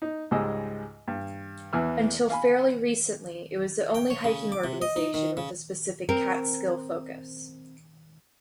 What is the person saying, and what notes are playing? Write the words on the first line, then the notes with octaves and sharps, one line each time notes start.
Until fairly recently it was the only hiking organization with a specific Catskill focus.
D#4
C#2 G#2 G3 G#3 D#5 E6
G2
E2 E3 G#5 E6 F6
F5 G#5 B5
G5
C#5
C#3
D6
C3
D#5
D#4
D#3
C#3
C4 A#4